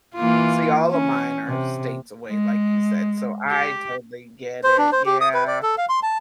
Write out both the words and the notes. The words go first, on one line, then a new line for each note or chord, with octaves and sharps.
See, all of mine are states away like you said, so I totally get it Yeah,
E3 A#3 F4
C#4
C3
G#3
G4
C5
D4
C5
G4
D#6
B4
D5
A4
F5
C6
A5